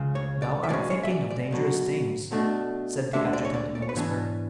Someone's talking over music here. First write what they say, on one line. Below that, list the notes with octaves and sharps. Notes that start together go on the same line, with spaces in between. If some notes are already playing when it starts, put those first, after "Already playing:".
"Thou art thinking of dangerous things," said the adjutant, in a whisper.
Already playing: C#2 C#3
C#5
D5
E5
B2 G#3 C#4 D5
C#5
E5
D5
D5
B1 B2 F#3
B2 A3 D4
D2 D3 G#3 D4 E5
D5
C#5
D5
D5
C#5
B4
G#2 E3 B3 D4 C#5